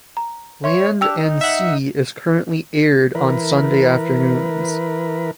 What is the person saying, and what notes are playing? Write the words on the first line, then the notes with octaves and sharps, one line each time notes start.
"Land and Sea" is currently aired on Sunday afternoons.
A#5
C#5 E5 C6
D4 G4 G5 E6 F7
D#4
E5 F#5
E3 A#4 B4